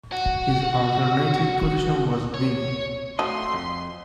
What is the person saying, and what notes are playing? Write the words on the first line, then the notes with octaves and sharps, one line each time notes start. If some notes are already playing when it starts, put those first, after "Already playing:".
His alternative position was wing.
F#4
C#5
F3 F#3 A3 D#5 C6
F2